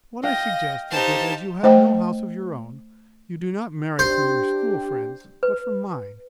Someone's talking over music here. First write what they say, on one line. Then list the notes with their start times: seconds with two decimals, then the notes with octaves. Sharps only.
What I suggest is that, as you have no house of your own, you do not marry from your school friend's, but from mine.
0.23 D#5 F5 G5 A#6
0.91 D#4 G4 C5 A5
1.63 A3 C5 D#5 G5
3.99 D4 G4 C5
5.43 B4